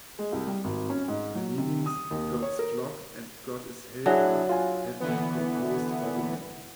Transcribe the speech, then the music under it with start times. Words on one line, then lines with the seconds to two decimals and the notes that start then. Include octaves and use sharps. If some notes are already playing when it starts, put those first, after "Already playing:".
The meanings "God's flock" and "God is helper" have been proposed for the name.
0.19 G#3
0.32 C2
0.47 G3
0.64 G#1
0.90 C#4
1.08 G#2
1.35 F#3
1.58 C3
1.86 D#6
2.11 D#2
2.42 C#5
2.59 A#4
4.06 F#3 D4 E4 G#4
4.49 F4 G#5
5.00 D3 E3 B3